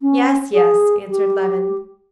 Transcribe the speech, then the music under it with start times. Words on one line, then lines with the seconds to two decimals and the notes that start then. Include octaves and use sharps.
"Yes, yes!" answered Levin.
0.02 C#4
0.53 G#4
1.10 G4